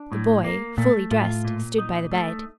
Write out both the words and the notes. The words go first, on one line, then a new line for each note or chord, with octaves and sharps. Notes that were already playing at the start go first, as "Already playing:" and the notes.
The boy, fully dressed, stood by the bed.
Already playing: D4
A2
A#3
A#2 A3
A2 F4
A#2
D#4
A3